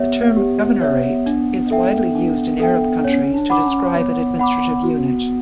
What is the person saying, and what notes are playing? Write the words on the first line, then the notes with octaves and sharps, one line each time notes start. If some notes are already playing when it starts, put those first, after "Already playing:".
The term governorate is widely used in Arab countries to describe an administrative unit.
Already playing: B3 G4 C#5 E5
G4
C#5 E5
D4
A4 E5 G5
D4
A4 E5 G5
C#4 C#5
D4
F#5 B5 D6
C#4
B3 C#5
F#5 B5 D6
F#4